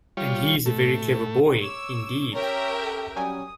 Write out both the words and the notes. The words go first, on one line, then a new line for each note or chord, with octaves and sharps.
And he is a very clever boy, indeed.
G3 F4 C#5
A2 A3
C#5 D6 E6
C#4 G4 A#4 C#5 E5 G5
A4
F#3 G3 C#4 G#5 D#6